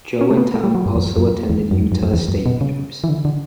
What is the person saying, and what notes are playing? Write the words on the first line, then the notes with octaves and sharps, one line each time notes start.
Joe and Tom also attended Utah State University.
C#4
A3
B3
A3
G3
F#3
G2
E2
F#2
F#2
E2
F#2
E2
F#2
F#2
E2
F#2
B2
C#3
E3
D3
D3